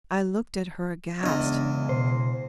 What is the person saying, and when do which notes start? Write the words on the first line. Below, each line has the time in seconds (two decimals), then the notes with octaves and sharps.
I looked at her aghast.
1.23 E2 C#3 G#3 D4 D#5
1.89 B2 C5